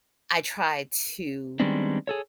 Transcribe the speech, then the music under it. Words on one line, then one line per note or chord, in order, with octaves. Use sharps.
I try to
D#3 G3 G#3 B3 C4 D4
G#4 A4 C#5